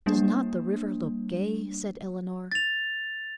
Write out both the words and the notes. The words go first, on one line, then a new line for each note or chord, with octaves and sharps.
"Does not the river look gay?" said Eleanor.
G3 A#3 D4
A6 F7